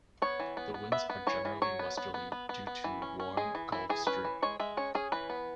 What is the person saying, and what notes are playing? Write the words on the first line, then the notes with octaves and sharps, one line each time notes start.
The winds are generally westerly, due to warm Gulf Stream.
B3 C#5
E3
B3
B3
B3 E5
B3
E3 C#5
E3
F#3 C#5
B3
B3
B3
B3
B3
B3
E3
C#4
C#4
G#3 G#4
E3
E3 E4
E3 G#4
C#4 B4
E3
G#3 C#5
G#3 E5
C#4 C#5
C#4 G#4
E3 B4
B3